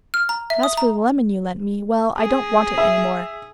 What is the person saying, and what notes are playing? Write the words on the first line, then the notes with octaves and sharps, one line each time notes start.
And as for the lemon you lent me, well, I don't want it any more.
F6
A#5
E5
D#6
A#5
G#4
E5